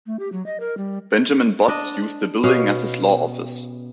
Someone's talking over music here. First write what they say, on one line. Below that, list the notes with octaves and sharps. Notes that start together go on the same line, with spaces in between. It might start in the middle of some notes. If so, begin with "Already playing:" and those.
Benjamin Botts used the building as his law office.
A3
G4
F#3
D#5
A#4
G3
D4 D#5
B2 C#4 F5